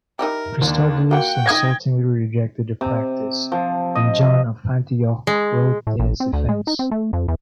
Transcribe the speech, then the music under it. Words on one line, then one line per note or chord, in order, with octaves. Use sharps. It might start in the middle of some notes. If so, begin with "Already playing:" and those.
Christodulus insultingly rejected the practice, and John of Antioch wrote in its defence.
D#4 E4 G4 A#4
D#2 D4
A#3 F4 F#4 F#5 G5
D#4 F#5 D#6 G#6 A#6
C3
F3
D#5
G#3
A2
A1
C4
D2
G#3
D#4
C4
A3
F2
E2